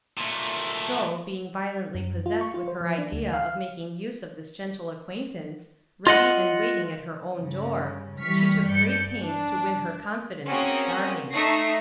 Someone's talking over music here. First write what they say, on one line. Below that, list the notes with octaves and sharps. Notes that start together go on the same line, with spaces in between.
So, being violently possessed with her idea of making use of this gentle acquaintance, ready and waiting at her own door, she took great pains to win her confidence at starting.
A#2 A3
F#2
F4
C#6
F4
C5
F3
D4
D2
F5
F4 D#5 F#5
G2 C#3
E3 G3 C#6 F6 B6
G2 D5 G6 C#7
D4
A#3 C4 C#4 F#4 G#4
A3 D#4 E5 C#6 A#6 C7